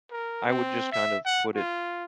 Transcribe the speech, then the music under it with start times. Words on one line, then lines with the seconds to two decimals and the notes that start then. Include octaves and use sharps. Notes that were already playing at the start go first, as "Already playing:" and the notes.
I would just kind of put it
0.11 A#4
0.48 C4
0.92 E5
1.26 F#5
1.55 F4